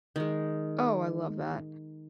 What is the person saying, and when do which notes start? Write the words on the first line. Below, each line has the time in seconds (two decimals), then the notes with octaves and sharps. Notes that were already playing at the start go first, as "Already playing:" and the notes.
Oh, I love that.
0.16 D#3 G#3